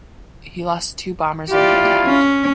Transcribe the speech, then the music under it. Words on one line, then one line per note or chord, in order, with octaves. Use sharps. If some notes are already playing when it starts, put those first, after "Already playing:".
He lost two bombers in the attack.
E4 F4 G4 D5
C#4